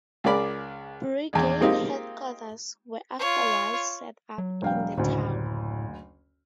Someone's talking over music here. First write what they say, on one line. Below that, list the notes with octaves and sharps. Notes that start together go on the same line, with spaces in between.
Brigade headquarters were afterwards set up in the town.
C#2 F4 G#4 A#4 D5 B5
A#1 E2
G#3 A#3 C4 D#4 F4 G4
F4 C#5
F#3
E1 F5 G5
F#1 D2 A2